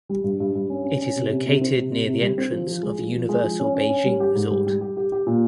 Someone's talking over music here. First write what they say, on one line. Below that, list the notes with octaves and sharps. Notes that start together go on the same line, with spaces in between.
It is located near the entrance of Universal Beijing Resort.
G3
G2
G2
G2
C#4
C#4
C#4
C3
C3
C3
C4
C3
C3
C3
G3
C4
F3
F3
G#3
F3
F3
G#3
F3
C#4
C#4
C#4
G3
G4
G#2
G3
G3
G4
G4
G4
A#2